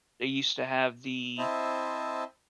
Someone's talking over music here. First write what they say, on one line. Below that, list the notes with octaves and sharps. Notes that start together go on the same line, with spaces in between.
they used to have the,
C4 E4 C5 D#5 E5 A5